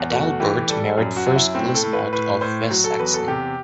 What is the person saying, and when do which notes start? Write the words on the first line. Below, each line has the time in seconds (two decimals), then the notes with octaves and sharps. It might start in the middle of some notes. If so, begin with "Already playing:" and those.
Adalbert married first Glismod of West-Saxony.
Already playing: E2
0.10 A3 F#4
0.40 E3 G4
0.69 G3 A4
0.98 F#2
1.17 F#4
1.26 F#2
1.36 E4
1.55 A2 C4
1.75 A4
1.83 A2
1.93 B4
2.12 A2 B4
2.41 A2 C5
2.70 F#3
2.84 A4
2.99 E2 B4
3.14 A4
3.28 C3 G4